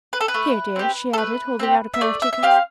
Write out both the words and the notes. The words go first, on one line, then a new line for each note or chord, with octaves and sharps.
"Here, dear," she added, holding out a pair of teacups.
B4
A4
B4
A3
C4 G4
A4
A3 B4
C4 G4
E5
A3 D5
E5
E5
C4 G4 F5